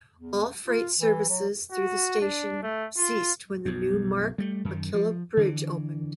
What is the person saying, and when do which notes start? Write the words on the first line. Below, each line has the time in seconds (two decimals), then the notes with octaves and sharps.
All freight services through the station ceased when the new Mark Mackillop Bridge opened.
0.14 E2
0.68 F4
0.99 E3
1.29 F#3
1.72 F#4
2.21 D4
2.63 A3
2.97 F4
3.65 B1 F#2
4.38 G3 A3
4.65 F#2 D#3
4.94 F3
5.37 D3 E3